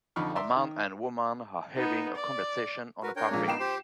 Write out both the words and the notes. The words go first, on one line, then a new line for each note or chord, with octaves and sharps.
A man and woman are having a conversation on a park bench.
F2 D3 D#4 B5 C#6 F6
D5 E5 A#5 C6 E6
D#3
B3 D#4
D5
F#4 A#4 B4
D4 A#4 C#5 G5
A#1 G#3 A#3
B3 D#4 G5 C7 E7
G4 C5 C6